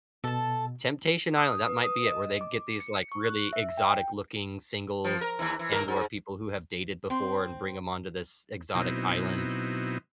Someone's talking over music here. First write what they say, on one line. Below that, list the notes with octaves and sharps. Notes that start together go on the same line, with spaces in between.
Temptation Island, that might be it, where they get these, like, really exotic looking singles and, or people who have dated before and bring 'em onto this exotic island.
B2 A4 A5
D#6
B4
D#6
D#5
D6
C#7
C#6
F#6
E5
G5
F3
A#4
D#2 E3
E3
D#2 A#3 A#4
G#2
C4
B2 F#3 C4 D#4 E4